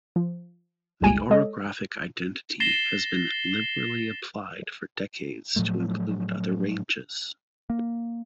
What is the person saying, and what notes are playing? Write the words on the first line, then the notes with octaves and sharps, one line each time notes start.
The orographic identity has been liberally applied for decades to include other ranges.
F3
G1 C#2 G3 G#3 G#5 D#7
G#3 A4 C#5 D#5
A6 A#6 C7 E7 G7
A2 F3 F#3 A3
A#3